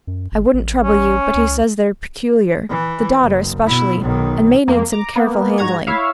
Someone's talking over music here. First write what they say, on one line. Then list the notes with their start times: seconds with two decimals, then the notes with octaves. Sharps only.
I wouldn't trouble you, but he says they're peculiar--the daughter, especially--and may need some careful handling.
0.07 F#2
0.32 G1
0.54 A1
0.83 C#4
1.35 C#2
2.69 E3
3.21 F#1
3.67 B2 E4
4.01 B1 D#3
4.68 F2 A#3
4.92 A#5 D6
5.16 A#3 B3
5.58 G#2 F#4 A#5 G#6
5.87 E4 C#5 E5 F5